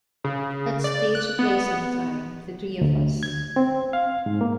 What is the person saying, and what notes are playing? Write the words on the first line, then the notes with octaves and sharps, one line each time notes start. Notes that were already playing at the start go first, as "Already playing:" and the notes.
Let's stage a play sometime, the three of us.
C#3
D5
F#6
B3
D2
G#6
C4
F5
G#2
A#3